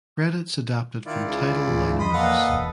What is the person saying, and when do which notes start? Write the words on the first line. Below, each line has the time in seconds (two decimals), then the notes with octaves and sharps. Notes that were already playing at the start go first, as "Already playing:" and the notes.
Credits adapted from Tidal liner notes.
1.06 D#3 E4 F4 D5
1.25 C#2
1.68 D2 E3
2.00 E2 F3 D#5 B5 C6
2.14 A#2 A4 B4 D#5 F5 F#5
2.48 E1 E2